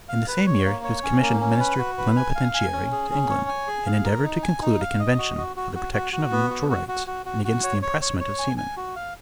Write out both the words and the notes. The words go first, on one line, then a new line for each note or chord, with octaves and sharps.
In the same year he was commissioned Minister Plenipotentiary to England, and endeavored to conclude a convention for the protection of neutral rights, and against the impressment of seamen.
F5
B4
C#5
A#3
C#5
C#4
A#3
C#4
B4
F#4
B4
G#5
F5
G#5
C#4
G#4
C#4
C#5
G#5
G#4
F5
A#4
D#4
G#5
D#4
F5
D#5
F#4
F#4
F#4
F#4
F#4
F#4
B3
F#4
F#4
F#4
F#4
F#4
F#4
C#5
C#5
C#5
C#5
G#5
G#5
F#4
F5